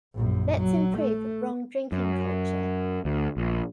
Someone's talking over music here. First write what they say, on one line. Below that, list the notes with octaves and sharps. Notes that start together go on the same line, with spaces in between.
Let's improve wrong drinking culture!
A#1 F#2
F#3
A3
F#2
D2
A#1